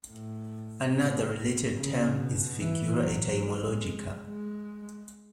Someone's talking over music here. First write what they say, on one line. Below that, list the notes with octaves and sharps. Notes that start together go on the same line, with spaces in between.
Another related term is figura etymologica.
A2
A2
C#3
B2
E3
F#3
G#3
G#3